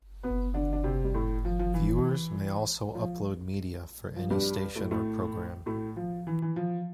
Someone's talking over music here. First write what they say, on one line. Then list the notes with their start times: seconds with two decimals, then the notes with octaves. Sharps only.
Viewers may also upload media for any station or program.
0.23 B3 B4
0.54 D3 D4
0.73 D4
0.84 C3 C4
1.04 G3
1.14 A2 A3
1.45 F3
1.59 F3
1.74 E3
2.95 F3
4.16 F3
4.30 G2 G3
4.76 A2 A3
4.91 A2 A3
5.66 A2 A3
5.96 F3
6.27 E3
6.42 E3
6.56 F3